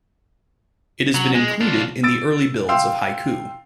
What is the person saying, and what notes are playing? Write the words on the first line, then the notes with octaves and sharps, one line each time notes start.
It has been included in the early builds of Haiku.
F#3
G#3
D4 F4
E6 A6 D7
F5 G5 C6 E6